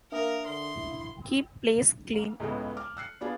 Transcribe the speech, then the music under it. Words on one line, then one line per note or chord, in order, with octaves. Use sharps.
Keep place clean!
A#3 D4 A#4 E5 D#6
D3 C6
E4
C#2 A2 C#3 G#3 B3
D6 F6
E6 F#6 C7 C#7
B3 D4 F4 G#4